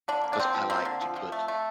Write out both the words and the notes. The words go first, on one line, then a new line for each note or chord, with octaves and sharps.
'cause I like to put,
D3 D4
A#3
D4
D3 C4
F3
A#3 C4
D3
F3
F3
A3
A3